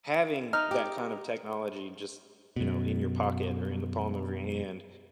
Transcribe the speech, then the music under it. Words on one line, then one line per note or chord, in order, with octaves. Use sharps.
having that kind of technology just, you know, in your pocket or in the palm of your hand
D#4 F6
G4
F#2 B2